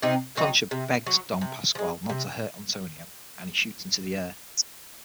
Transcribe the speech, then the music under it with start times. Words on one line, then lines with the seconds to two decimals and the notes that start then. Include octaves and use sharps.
Concha begs Don Pasquale not to hurt Antonio, and he shoots into the air.
0.02 C3 C4 D#4
0.37 F#3 C4 D#4
0.71 C3
1.06 F#3
1.41 C3
1.75 F3
1.79 G#3
2.10 C3